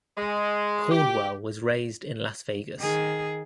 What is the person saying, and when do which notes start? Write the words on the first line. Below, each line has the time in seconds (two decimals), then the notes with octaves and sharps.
Caldwell was raised in Las Vegas.
0.17 G#3
0.91 G4
2.80 D#3 G#4